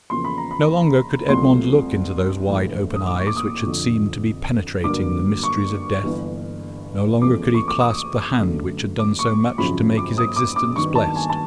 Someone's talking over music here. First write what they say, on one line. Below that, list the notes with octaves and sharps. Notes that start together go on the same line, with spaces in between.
No longer could Edmond look into those wide-open eyes which had seemed to be penetrating the mysteries of death; no longer could he clasp the hand which had done so much to make his existence blessed.
E2 C#3 F3 A#3 C6
B5
A#5
B5
C2 C3 F3 A3 C6
A#1 A2 E3
D#6
D6
C#6
D6
D#6
F1 F2 D3 F3
G2 D3 F#3 A#3 D6
C#6
G1 G2 E3
E2 C#3 F3 A3 D6
C#6
D6
D#6
F#2 D3 F#3 A3
D6
C#6
G#1 F#2 C#3 F3 B5
D6
D#6
D6
D6
G2 D#3 F#3 B3 C#6
A5
G#5
A5